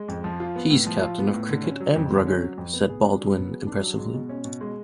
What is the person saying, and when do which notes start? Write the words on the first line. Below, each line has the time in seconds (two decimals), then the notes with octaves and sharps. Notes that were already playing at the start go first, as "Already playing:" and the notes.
"He's captain of cricket and Rugger," said Baldwin impressively.
Already playing: G#3
0.08 F2
0.24 F3
0.40 F4
0.56 B3
0.70 A2
0.86 F3
1.02 F4
1.18 B3
1.33 A2
1.49 D3
1.64 C#4
1.80 F#3
1.96 F2
2.11 D3
2.27 C#4
2.42 F#3
2.58 F2
2.73 B3
2.89 G#4
3.04 D4
3.21 F#3
3.36 B3
3.52 G#4
3.67 D4
3.83 F#3
3.98 G#3
4.14 B2
4.29 C#4
4.45 B2
4.61 G#3